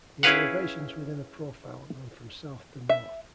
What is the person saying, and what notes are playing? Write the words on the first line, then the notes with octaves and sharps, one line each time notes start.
The elevations within a profile run from south to north.
C#4 E4 G#4 B4 F5 F#5
E5